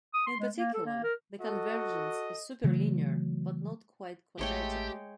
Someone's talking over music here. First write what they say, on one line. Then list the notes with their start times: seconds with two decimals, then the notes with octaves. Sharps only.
In particular, the convergence is superlinear, but not quite quadratic.
0.14 D#6
0.27 C6
0.40 G#3
0.55 A#3
0.74 A4
0.86 A#3
1.03 A#4
1.41 F#4 A4 D#5
2.64 C#3 E3 F#3 A3
4.39 A1 G#3 A3 G4 C#5 G5